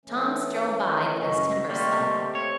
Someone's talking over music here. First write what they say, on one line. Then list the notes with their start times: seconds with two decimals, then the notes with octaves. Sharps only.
Tom strode by with his timber sled.
0.06 E3 A3 C#4
1.22 F#2 C#3 E3 D#5 C#6
1.70 G3 A3 A#3 C4 G4 D#5 C6 C#6
2.35 C#5